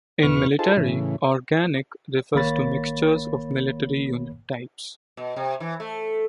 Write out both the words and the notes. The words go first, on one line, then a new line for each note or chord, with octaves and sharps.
In military, "organic" refers to mixtures of military unit types.
E2 B2 B4 C#6 F6
D#4 F4 G#4 A4 C5 A5
A2 C#3 E3
G#1 D#3 A#3 C#5 B5 A6
B2
C3
E3
A3